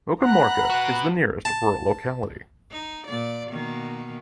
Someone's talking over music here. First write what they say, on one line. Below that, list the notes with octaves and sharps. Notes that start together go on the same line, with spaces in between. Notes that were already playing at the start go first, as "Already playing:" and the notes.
Mukhomorka is the nearest rural locality.
F#5 A#5 B5 F#6
F#4 B4
A5
D#4
A#2 D5
B2 D#3 A#3